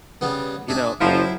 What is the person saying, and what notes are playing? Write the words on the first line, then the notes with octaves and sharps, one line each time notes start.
you know
C#3 G3 B3
D4 G#4 E5
F#1 F3 F#3 E4